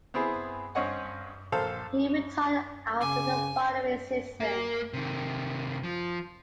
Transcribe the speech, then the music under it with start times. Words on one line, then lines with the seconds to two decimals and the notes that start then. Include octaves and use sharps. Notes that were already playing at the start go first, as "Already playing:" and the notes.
He retired after the following season.
0.14 B3 C4 E4 G#4
0.75 G2 C4 C#4 C#5 D#5 F#5
1.52 A#1 A4 C5 F5 F6
3.01 C#3 G#5 D6
4.40 A#3
4.93 C3 D#3
5.83 F3